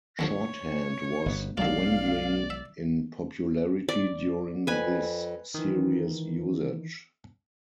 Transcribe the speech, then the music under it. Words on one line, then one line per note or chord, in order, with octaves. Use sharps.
Shorthand was dwindling in popularity during this series' usage.
D#2 D3 F3 C#5
G1 B2
B1 D3 F#3 G#3 F4 D5 F5
E5
D5
F2 B4 G#5
D#3 E3